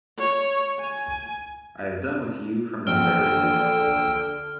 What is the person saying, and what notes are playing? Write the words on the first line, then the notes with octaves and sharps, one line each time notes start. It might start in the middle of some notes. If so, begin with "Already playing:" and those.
I have done with you from this very day.
C#5
G#5
A#1 E2 D3 G5 E6 F6